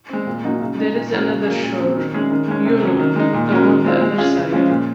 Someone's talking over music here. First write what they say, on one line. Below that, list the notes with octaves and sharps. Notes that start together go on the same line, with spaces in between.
There is another shore, you know, upon the other side.
G#3 C4
A#2
F#3 A#3 D#4 F#4
C#3
G#3 D#4
A#2
F#3 C#4 F#4 A#4
C#3
F#3 A#3 C#4 G#4
A#2
F#3 C4
D#3
G#3 C#4 G#4
D#3
G#3 C#4
C3
F#3 C#4
D#3
G#3 D#4
A#2
G#3 C#4 F#4 A#4
D#3
G#3 C4 F4
G#3
C#4 F4 G#4
C#3
F3 G#3 C#4
A#2